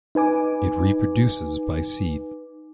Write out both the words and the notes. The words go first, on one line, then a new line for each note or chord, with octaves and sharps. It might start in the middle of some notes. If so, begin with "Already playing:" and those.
It reproduces by seed.
D#4 B4 G#5 D6